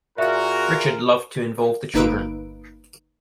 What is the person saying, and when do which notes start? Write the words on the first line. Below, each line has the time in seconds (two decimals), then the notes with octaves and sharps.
Richard loved to involve the children.
0.18 A#2 F4 F#4 G#4 A#4 E5 F5
1.94 G1 A#3 D#4 B4 E6 D7